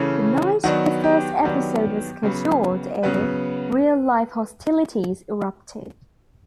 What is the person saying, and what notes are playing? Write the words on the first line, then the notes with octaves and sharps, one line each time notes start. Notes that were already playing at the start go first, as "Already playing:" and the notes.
The night the first episode was scheduled to air, real-life hostilities erupted.
Already playing: C#3 E3 A3 C#4
D#3 F#3 B3 D4 F#4
G4
D#3 F#3 B3 D4 G4
C#3 F#3 B3
C#3 F#3 B3 B4